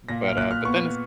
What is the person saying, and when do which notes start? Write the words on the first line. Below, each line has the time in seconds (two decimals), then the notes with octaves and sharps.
M but uh, but then it's
0.09 A#2 A#6
0.29 F6
0.37 A#2 F#6
0.51 F6
0.65 B3 C#6